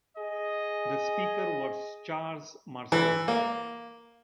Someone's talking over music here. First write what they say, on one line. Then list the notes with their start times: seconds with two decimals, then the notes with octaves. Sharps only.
The Speaker was Charles Marcil.
0.17 G#4 D#5
2.92 E3
3.28 A#3